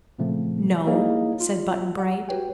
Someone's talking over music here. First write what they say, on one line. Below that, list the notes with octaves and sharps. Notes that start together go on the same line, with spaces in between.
"No," said Button-Bright.
A#2 C#3 F3 A3 C4
A#3 D#4 E4 G#4 C#5 D#5
F4
F#5
F#4 G4 B4 C#5 G5